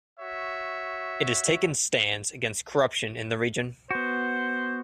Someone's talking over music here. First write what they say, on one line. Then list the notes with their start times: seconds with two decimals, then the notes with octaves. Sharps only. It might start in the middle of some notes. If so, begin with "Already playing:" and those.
It has taken stands against corruption in the region.
0.20 F#4 C#5 E5
3.91 B3 F#4 C5